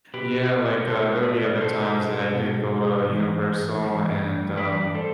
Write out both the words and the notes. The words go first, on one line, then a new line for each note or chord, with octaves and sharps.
Yeah, like, uh, there would be other times that i did go to Universal and um,
B2 G4 B4
B2 A4 C5
B4 D5
B2 A4 C5
B2
A2 E3
A2 E3
A2 E3 B4 D5
D5
A4 C5